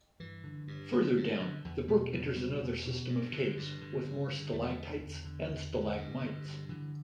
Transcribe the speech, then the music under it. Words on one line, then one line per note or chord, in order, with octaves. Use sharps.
Further down, the brook enters another system of caves with more stalactites and stalagmites.
G2 E3
D3
G2
D3
G2
D3
E2 D3
B2 G3 B3
E2 G3 B3
B2 G3 B3
E2
B2
G2
D3
G2
D3
G2
D3
E2 A3
G3
E3 A3
D3
E2
D3
E2
D3
G2
D3
G2
D3 E3